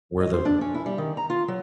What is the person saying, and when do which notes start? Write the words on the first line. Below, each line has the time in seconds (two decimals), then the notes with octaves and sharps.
Where the
0.21 D#5
0.33 C5
0.45 D4
0.61 C#4
0.74 E4
0.86 G3
0.98 D#3
1.17 A#5
1.30 F4
1.48 F#3